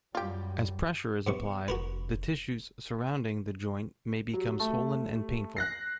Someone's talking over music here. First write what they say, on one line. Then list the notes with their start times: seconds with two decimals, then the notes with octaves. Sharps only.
As pressure is applied, the tissues surrounding the joint may become swollen and painful.
0.15 F#2 G3 F4 G4
1.27 G2 C3 B3 C#6
1.68 F1 D3 F#4 A#4 B4
4.33 F#3 G3
4.59 A3
5.57 F#6 A#6 C7